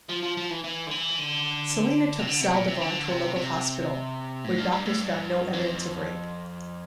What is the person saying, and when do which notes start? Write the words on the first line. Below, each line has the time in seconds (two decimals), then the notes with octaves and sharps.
Selena took Saldivar to a local hospital, where doctors found no evidence of rape.
0.09 F3
0.23 F3
0.37 F3
0.51 E3
0.64 E3
0.87 D3
0.91 E3
1.18 D3
2.19 C3
2.27 D3
2.41 C3
2.54 A#2
2.68 C3
2.81 D3
3.09 C3
3.36 C3
4.44 A2
4.58 G2
4.72 G2
4.85 A2
4.99 G2
5.53 F2